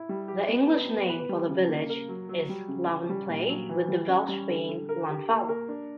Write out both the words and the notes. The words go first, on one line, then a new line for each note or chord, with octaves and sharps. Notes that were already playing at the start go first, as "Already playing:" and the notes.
The English name for the village is Llanvapley with the Welsh being Llanfable.
Already playing: E4
G3
G4
B3
B3
B3
B4
G3
C#3
A#3
A#4
F#3
F#3
G3
C#3
C#4
G3
A#2
F#3
E3
G3
C#4
G3
D3
D3
A#4
G4
A#3
A#4
D4